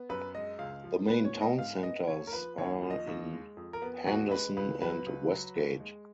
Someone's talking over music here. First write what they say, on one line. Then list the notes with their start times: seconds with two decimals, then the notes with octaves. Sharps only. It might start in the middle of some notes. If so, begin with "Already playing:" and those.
The main town centres are in Henderson and Westgate.
Already playing: B3
0.09 F#2 B4
0.35 G#3 D#5
0.59 C#2 F5
0.84 F3
1.08 A#2 B4
1.25 C#5
1.33 B3
1.41 D#5
1.58 G#2 F5
1.83 B3 D#5
2.07 D#2 C#5
2.27 A#4
2.32 F3 B4
2.58 D#2 C#5
2.82 F3
2.90 D#5
3.07 D#2
3.33 G#3
3.57 F2
3.73 A#4
3.82 B3
4.07 D#2 F#4
4.31 G#3 B4
4.57 C#2 B4
4.81 F#3 B4
5.06 C#2
5.32 F#3
5.56 D#2
5.80 G#3